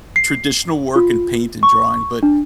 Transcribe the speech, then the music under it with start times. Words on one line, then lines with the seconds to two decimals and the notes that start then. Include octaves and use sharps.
traditional work and paint and drawing, but
0.16 C7
0.96 F4
1.63 C#6
2.23 D4